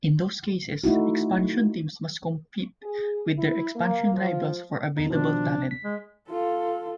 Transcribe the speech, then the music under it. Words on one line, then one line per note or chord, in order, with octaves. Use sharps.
In those cases, expansion teams must compete with their expansion rivals for available talent.
A3 D#4 E4 F#4
G#4
E4
A#3
F3
E2 D#4
B2 D#3 F3 D4
B6
G#3
F4 A4